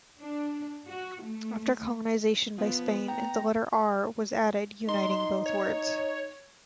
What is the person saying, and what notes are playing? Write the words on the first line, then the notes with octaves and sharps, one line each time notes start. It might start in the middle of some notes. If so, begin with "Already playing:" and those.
After colonisation by Spain, the letter "r" was added, uniting both words.
D4
F#4
A3
F3 B3
G5 A#5
D#4 C6
C#5